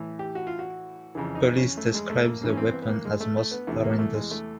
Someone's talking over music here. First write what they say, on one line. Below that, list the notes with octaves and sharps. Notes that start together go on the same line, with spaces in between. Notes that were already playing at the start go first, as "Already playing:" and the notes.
Police described the weapon as "most horrendous".
Already playing: A2 E3
G4
F#4
F4
F#4
F2 C#3 E3
D#4
C#4
A3
G#3
A3
A#3
G2 E3 A#3
C#4
C4
B3
B3
A#3
G#3
A3
A3
B3
E2 C3 E3 A3
A#3
A3
G#3
A3